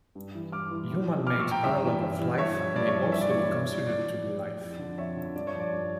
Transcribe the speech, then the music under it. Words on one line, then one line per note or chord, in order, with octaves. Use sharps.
Human-made analogs of life may also be considered to be life.
G2
E3
G2 D6 F6
E3
A2
F3
A2 D6 F6
C#6 E6
F3
G5 A#5
G2 E5 G5
E3
G2
E3
G2 C#5 E5
F3
G2 D5
C#5
F3
G2 E5
D5
E3 C#5
D5
G2 D5
E3
A2 D5
F3
A2
F3
F2
D3 F3
F2 C#5 E5
D3 F3
G2 D5
C#5
F3
D5
G2